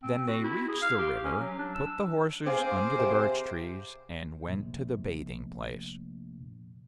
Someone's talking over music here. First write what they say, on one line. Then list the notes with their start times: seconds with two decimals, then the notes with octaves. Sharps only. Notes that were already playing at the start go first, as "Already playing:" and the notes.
Then they reached the river, put the horses under the birch trees, and went to the bathing-place.
0.03 C4
0.27 F#4
0.44 E4
0.68 G#4
0.82 F5
0.98 G4
1.24 C#4
1.40 F#3
1.59 D4
1.74 E6
2.46 C4 G#4 C5 F5 D6
2.99 C3
4.48 F1 A#1